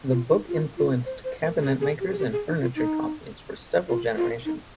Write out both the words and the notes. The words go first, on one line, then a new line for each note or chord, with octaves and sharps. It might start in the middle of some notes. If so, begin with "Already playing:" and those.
The book influenced cabinet makers and furniture companies for several generations.
F4
D#4
F4
F4
C5
C5
A#4
G#4
G#4
G4
G#4
G4
G#4
D#4
F4
D#4
F4
F4
D#4